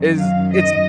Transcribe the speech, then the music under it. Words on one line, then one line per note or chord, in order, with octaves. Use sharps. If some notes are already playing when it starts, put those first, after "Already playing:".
Is it's
Already playing: F#2 D#3 F#3
F5
D#5